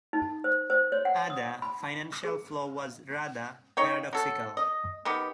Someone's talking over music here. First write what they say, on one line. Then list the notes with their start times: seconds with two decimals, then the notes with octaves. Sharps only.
Other financial flow was rather paradoxical.
0.13 D#4
0.44 C5
0.70 C5
0.92 C#5
1.05 F#5
1.30 D#6
1.62 B5
2.25 G#4
3.77 D#4 C#5 G5
4.13 F#3 A4
4.57 D#5
5.05 D#3 B3 G4